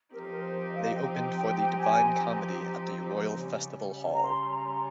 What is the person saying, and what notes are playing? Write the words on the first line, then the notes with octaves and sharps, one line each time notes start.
They opened for The Divine Comedy at the Royal Festival Hall.
F3 C4 D#4 G4 A#4
C5
A#4
C5
D#5
F5
D#5
G5
G5
G#5
C#3 G3 C#4
A#5
C6
A#5